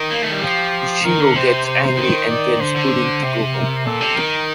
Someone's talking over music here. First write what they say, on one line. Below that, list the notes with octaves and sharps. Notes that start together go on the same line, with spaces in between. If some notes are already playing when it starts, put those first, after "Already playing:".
Ichigo gets angry and tells Pudding to go home.
Already playing: D#3
A#3
A3
G3
F3 G4
D#3 A#4
D3
C3 C5
C5
D#3
D5
D3 C5
D3
C3
A#4
A#2 A4
C3
D#3 A#4